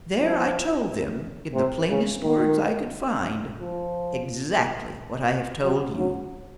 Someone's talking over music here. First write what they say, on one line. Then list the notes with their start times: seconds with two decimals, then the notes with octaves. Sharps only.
There I told them, in the plainest words I could find, exactly what I have told you.
0.19 F3
1.54 C3
1.89 C#3
2.23 D#3
3.60 F3
5.63 F#3
5.98 F#3